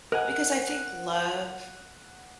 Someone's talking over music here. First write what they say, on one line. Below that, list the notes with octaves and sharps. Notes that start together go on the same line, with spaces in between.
because I think love
A#4 D#5 F#5 G#5